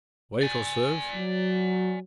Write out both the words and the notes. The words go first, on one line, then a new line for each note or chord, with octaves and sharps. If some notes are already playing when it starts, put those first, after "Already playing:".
"Wait or serve?"
D5 G#5
F#3